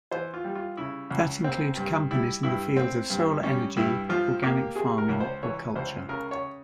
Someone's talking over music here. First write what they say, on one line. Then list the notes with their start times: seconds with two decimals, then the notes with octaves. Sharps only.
That includes companies in the fields of solar energy, organic farming or culture.
0.11 E3 C5
0.34 F4
0.44 G3
0.55 F4
0.77 C#3 E4
1.11 C#2
1.44 C4
1.77 G2
2.11 G3 E4
2.43 G2 E4
2.77 C4
3.10 G2
3.43 G3 C#4
3.77 G2 E4
4.09 F3 F4
4.42 A#3 G4
4.76 C3 G#4
4.98 A#4
5.09 C#2
5.20 C5
5.43 E3 C#5
5.75 C#2 C5
6.09 C#3 A#4
6.31 C#5